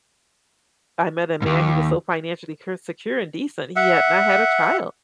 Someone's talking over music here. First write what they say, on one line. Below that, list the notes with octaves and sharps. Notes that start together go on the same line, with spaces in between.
I met a man, he was so financially cure secure, and decent, he had not had a child.
D#2 G#2
E5 F#5